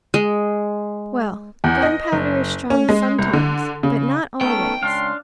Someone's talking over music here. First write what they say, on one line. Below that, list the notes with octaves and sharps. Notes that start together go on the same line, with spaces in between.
Well, gunpowder is strong sometimes: but not always.
G#3
E2
D#5
F#1
C#4
G#3
C2
D3
C#3
A3 B3 C#4 D#4 A4 G5
C#2 C#4 D4 F5 A5 C6